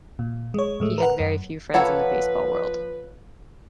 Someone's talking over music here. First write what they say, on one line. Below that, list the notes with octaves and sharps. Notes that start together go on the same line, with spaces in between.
He had very few friends in the baseball world.
A#2
G#3 C#5
A2 G#3 A3
A#4 B4 F#5
F#2
F3 A#3 E4 A4 B4 C#5 F#5